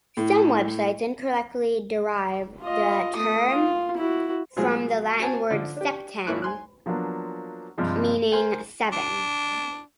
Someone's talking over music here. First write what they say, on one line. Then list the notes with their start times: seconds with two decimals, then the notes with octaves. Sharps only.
Some websites incorrectly derive the term from the Latin word "septem", meaning "seven".
0.17 A2
2.62 F4 D#5
3.16 A3 D#6
3.51 F4
3.97 E4 F#4
4.56 B2 F#3 G#3 A3 F4 G#4
5.19 F#4 C5 G#5 A5
5.50 D3 F3
5.76 D4 G4
6.27 G#1 A#3 E4 C#6 F#6
6.42 G#5 C6 F#6
6.86 F3 F#3 A#3 B3 D4
7.78 G2 C3 F3 G#3
8.32 A#4 C5 G#5
8.92 D4